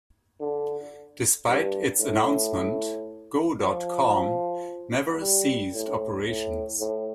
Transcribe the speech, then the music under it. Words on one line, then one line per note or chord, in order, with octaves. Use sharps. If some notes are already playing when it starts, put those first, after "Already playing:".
Despite its announcement, go dot com never ceased operations.
D3
G2
A2
F3
G3
A2
A2
A2